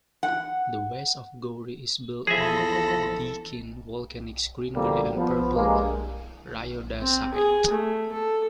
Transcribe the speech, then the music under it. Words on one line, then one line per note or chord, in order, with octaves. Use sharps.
The west of Gowrie is built on Deakin Volcanics green-grey and purple rhyodacite.
F#5
E2 F3 G#4 A4 E5 B5 A#6
B2 D3 F3 G3 A#3 G4
F3 B3
G2 G#3 A#3
C4
G#4
A3
A4